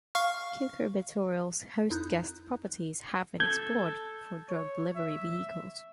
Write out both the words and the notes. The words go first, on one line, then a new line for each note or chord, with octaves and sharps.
Cucurbituril's host-guest properties have been explored for drug delivery vehicles.
F5 C#6 F6
F2 D#4 E4 F#6 G6
A4 G6 G#6
C#5
E5